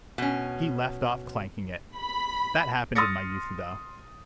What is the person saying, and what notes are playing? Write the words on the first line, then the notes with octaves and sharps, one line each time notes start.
He left off clanking it. That happened in my youth, though.
B2 C#4
B5
C6 D#6 F6 A6 A#6 C#7